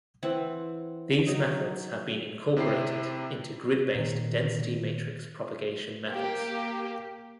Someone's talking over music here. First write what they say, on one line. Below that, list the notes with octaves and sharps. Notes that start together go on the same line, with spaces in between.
These methods have been incorporated into grid-based density matrix propagation methods.
E3 C4 F#5
F#3 D#4
C3 E4 G4 C7
A#2 D#3
A#3 G4